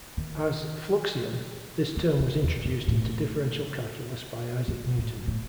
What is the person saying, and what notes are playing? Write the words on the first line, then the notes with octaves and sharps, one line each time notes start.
As "fluxion", this term was introduced into differential calculus by Isaac Newton.
D#3
E3
D#3
E2
F#2
A2
G#2
A2
A2